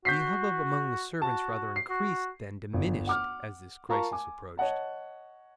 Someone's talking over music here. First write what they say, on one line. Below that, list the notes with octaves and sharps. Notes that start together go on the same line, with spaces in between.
The hubbub among the servants rather increased than diminished as this crisis approached.
F#4 G6 B6 C7
F#4 A5
C7
F#4
G1
F#5 D6 F6
F4 A#4 F5 A5 A#5 C#6
G#5 D6
C#5 D#5 F#5 A5